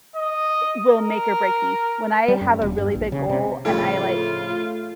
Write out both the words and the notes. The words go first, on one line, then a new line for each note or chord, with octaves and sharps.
i will make or break me. When I have a really big goal and I, like
D#5
A#4
G3
F#2
D#1
G2
A#1
C#3
C3
F2 A2 C#3 A3 F4